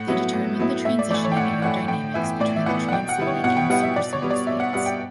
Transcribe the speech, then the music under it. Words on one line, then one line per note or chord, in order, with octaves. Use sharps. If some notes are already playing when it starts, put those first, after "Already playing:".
They determined the transition in aerodynamics between transonic and supersonic speeds.
Already playing: A2 F#5
F#3 B3 E4
A2
F#3 B3 E4
A2 E5
D5
E3 A3 D5
C#5
G5
A2 F#5
E3 A3 F#5
A2 G5
E3 B3 E5
A2 D5
E5
E3 B3 F#5
F#5
B2 G5
F#5
G3 B3 E4
C#5
B2 F#5
G5
G3 B3 E4 F#5
E5
B2 D5
C#5
G3 B3
D5
B2 E5
F#5
G3 B3 F#5
G5